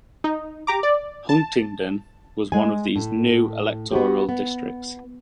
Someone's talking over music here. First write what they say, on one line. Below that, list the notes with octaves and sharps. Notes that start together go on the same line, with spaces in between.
Huntingdon was one of those new electoral districts.
D#4
G4 A#5 D6
D5
A5
G#3 G#5
A2
B3 F#4 G4
B3